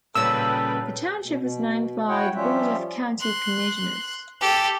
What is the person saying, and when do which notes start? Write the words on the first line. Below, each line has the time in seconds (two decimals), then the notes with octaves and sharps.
The township was named by the board of county commissioners.
0.15 A#2 C#3 G3 A4 B4 F5 G5 E6
1.24 B2
1.39 B2
2.09 E4 F#4 C#5 F#5 G5
2.35 F3 G3 C#4 F4 E5
3.20 C6 F#6
4.41 G4 A4